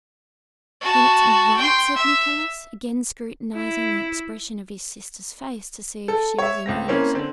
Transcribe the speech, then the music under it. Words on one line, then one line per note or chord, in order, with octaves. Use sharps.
"Then it's all right?" said Nicholas, again scrutinizing the expression of his sister's face to see if she was in earnest.
F#4 A5
G5 C6
E5
E4
A4
C#5 E5
C#2 C4 A#6
A#3 C4 C#4 E4 A#4
D3 C4